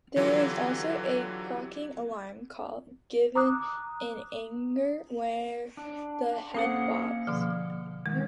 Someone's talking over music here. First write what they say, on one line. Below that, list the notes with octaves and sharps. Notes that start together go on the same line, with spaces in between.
There is also a croaking alarm call given in anger where the head bobs.
D3 E3 F#3 F4 G4
A#5 D6 D#6 F#6
D4
A#3 C#4 G#4 A4 C5 F#5
B2 D3 F3
D#3 G#3